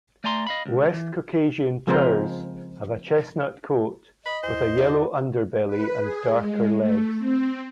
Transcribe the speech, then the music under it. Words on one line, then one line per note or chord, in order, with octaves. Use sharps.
West Caucasian turs have a chestnut coat with a yellow underbelly and darker legs.
A3 D5 G#5 A#5 C6
D#5 F5 B5
C#2
E3
C#3 F3 G#3 C4 A#4 C5
D#5 B5
E2 E4 C5
D4 D#4 F#4
B4
G#4
G#3
A3
C4